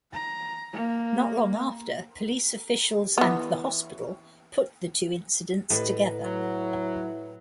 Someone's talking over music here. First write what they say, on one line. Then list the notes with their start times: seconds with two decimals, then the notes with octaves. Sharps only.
Not long after, police officials and the hospital put the two incidents together.
0.13 A#5
0.73 A#3
3.18 E3 B3
5.70 A2 B4 D#5 F#5
6.24 F#3 E4